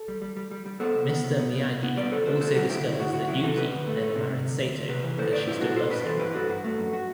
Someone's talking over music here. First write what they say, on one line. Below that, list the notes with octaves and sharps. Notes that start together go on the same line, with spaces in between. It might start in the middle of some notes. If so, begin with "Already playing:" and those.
Mister Miyagi also discovers that Yukie never married Sato because she still loves him.
Already playing: A4
G3
G3
G3
G3
G3
B3 A4 C5
C2
B3
C3
B3
C2
C2
B3
G3 B4 D5
D2 A4 C5
D2 A4 C5
D2 A4 C5
G3 F#4 A4
D2 E4 G4
D2 E4
D2 F#4
D2 F#4
F#3 E4 G4
C3 F#4 A4
D2 G4 B4
D2
A3
A3
C3
C3
D2
D2
D2
C3 G4 B4
E3
D2 A4 C5
D2 B4 D5
G2 E4 G4
B3 F#4 A4
G2 A4 C5
G2 G4 B4
E3 A4 C5
G2 G4 B4
G2 F#4 A4
G2 F#4
A3 F#4
F#2
F#4